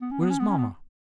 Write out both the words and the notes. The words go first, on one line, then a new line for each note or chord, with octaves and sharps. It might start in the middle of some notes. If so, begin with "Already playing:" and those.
Where's mama?'
B3
C#4
B3
C#4
B3
C#4
B3